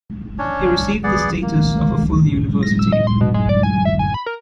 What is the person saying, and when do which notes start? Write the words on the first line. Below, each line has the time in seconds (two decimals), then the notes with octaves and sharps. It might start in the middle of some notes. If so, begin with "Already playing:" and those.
He received the status of a full university.
0.39 C#4 D4 C#5
1.04 B3 G#4 D5 F#5
1.42 A#3
2.63 A#6
2.79 E6
2.92 D#5
3.07 C6
3.21 B2
3.34 G#3
3.49 D5
3.63 G#5
3.85 E5
3.99 G#5
4.14 B5
4.26 A#4